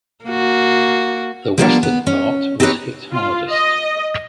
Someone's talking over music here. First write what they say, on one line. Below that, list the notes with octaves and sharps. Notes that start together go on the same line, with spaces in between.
The Western part was hit hardest.
A#3 F#4
F3 G3 A#3 B3 C#4 D4
B3
C#4
C4 D#4 G4 A4 B4 C#5
F4
D#5